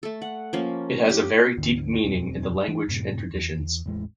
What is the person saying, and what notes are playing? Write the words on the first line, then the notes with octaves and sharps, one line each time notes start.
It has a very deep meaning in the language and traditions.
A3 A4
F#5
F3 A#3 C#4
G4
D2 G#2 D3 E3
E1 C4
E3 D4
F#2 A2 C3
E2
A1 E2 E3 G#3